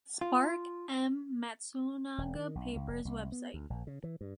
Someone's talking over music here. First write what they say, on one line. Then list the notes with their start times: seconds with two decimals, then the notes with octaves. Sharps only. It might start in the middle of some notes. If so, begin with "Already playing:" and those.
Spark M. Matsunaga Papers web site.
0.21 F4
2.18 E1
2.35 D#3
2.55 B1
2.76 C#2
2.88 F1
3.05 C2
3.32 B3
3.54 D2
3.70 A#1
3.87 C#3
4.04 E3
4.21 G2